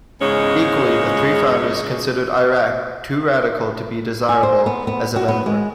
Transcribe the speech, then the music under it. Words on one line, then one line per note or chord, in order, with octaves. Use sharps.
Equally the three founders considered Iraq too radical to be desirable as a member.
E2 G#2 C#3 G#3 C#4
G#5
C5
B3
B3
F#4
B3
G#3